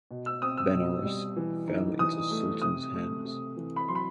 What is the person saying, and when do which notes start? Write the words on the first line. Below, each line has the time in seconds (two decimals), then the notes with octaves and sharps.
Benaras fell into Sultan’s hands.
0.11 B2
0.26 E6
0.42 C4 D#6
0.57 E6
0.74 B2
1.05 G3
1.36 E3
1.68 D#4
1.99 E3 D#6
2.31 A3
2.62 C3 D#6
2.94 A3
3.25 C3
3.57 E3
3.76 B5
3.88 F#3 C6
3.95 B5